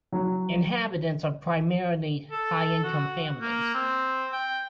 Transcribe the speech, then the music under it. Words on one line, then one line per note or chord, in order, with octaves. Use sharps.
Inhabitants are primarily high income families.
F#3
A4
F#4
A#3
C4
G5